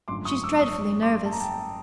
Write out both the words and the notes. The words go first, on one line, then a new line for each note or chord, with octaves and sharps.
She's dreadfully nervous.
G#1 F#2 D3 F3 A3 C6 D6
C#6 D#6
D6 E6
C#6 D#6
C6 D6
A5
A#5
G5 A5